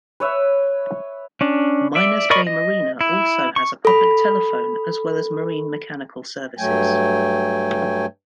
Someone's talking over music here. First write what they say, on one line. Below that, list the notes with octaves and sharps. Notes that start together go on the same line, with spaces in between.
Minor's Bay marina also has a public telephone, as well as marine mechanical services.
B4 C#5 E5
C#4 D4
D5 E5
A#4 D5 D#5 B5 C#6
D#5
E4
C#6
A4 B5
G2 F#3 A3 G5 G#5